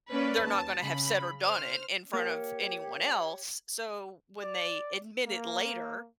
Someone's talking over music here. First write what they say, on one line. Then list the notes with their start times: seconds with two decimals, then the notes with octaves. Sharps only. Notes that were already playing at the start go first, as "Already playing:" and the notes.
they're not gonna have said or done it in front of anyone else, so when they admit it later
0.11 A#3 C#4 B4 D5
0.43 D#2 A5
0.79 C#3 B5
1.43 C5 F6
2.13 A#3 G4 C#5
4.42 D5
5.27 A#3